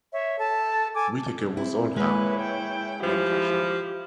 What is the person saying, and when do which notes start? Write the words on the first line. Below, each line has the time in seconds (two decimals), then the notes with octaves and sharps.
Whittaker was Oldham, Lancashire.
0.12 C#5 E5
0.39 A4 A5
0.94 A4 G#5 D6
1.57 C4 E4
1.96 G#3 A#3 E4 B4 C#5
2.40 G5
3.03 F3 E4 G4